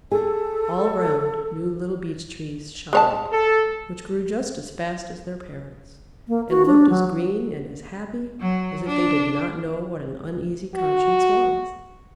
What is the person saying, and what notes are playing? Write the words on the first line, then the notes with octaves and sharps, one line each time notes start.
All round new little Beech Trees shot up, which grew just as fast as their parents, and looked as green and as happy as if they did not know what an uneasy conscience was.
G#4 A4
G#3 C#5 A5
A4
A#3
F#4
D4
F#3
F#3
D4
F#4